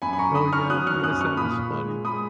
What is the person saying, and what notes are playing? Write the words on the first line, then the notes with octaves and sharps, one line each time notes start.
Oh, yeah, yes, that was funny.
F#2 G#5 B5
B5
A#5 C#6
D#3 B5 D#6
C#6 F6
F#3 D#6 F#6
C#6 F6
F#2 D#6 F#6
C#6 F6
A#2 B5 D#6
G#3
G#3 B5 D#6